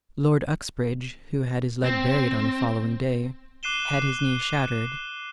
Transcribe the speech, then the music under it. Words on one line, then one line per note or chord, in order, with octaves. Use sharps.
Lord Uxbridge, who had his leg buried on the following day, had his knee shattered.
C4
D6 F#6 C7 D#7 E7 G7